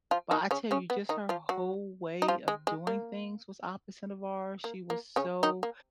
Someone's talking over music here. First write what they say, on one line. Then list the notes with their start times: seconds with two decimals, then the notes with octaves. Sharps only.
but I tell you just her whole way of doing things was opposite of ours, she was so
0.11 F3 F4
0.31 D#3 D#4
0.51 C#3 C#4
0.71 C#3 C#4
0.90 B3
1.09 D#3 D#4
1.29 F3 F4
1.49 F#3 F#4
2.22 D#4
2.28 F3 F4
2.48 G#3
2.67 G#3
2.87 A#3
4.64 A#3
4.90 A#3
5.16 C#3 C#4
5.43 D#3 D#4
5.63 A#3